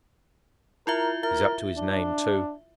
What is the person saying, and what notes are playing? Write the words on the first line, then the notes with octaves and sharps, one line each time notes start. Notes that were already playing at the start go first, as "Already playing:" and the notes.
He's up to his name too.
E4 F4 A#4 E5
A#4 E5
D4